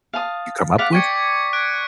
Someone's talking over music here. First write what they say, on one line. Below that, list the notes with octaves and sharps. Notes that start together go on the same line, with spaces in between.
you come up with?
F5 A5 D#6
D5 F5 F#5 B6
D5 G5 C#6 G#6 C#7
F#6 D7